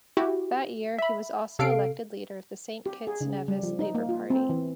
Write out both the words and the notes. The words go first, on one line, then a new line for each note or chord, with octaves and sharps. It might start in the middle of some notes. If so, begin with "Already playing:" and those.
That year he was also elected leader of the Saint Kitts-Nevis Labour Party.
E4 F#4 G4
E5 B5
C3 A4 F5 C7 D7
G4
G#4
C#3
G3
F3
D#4
A#3
F4
C4
E3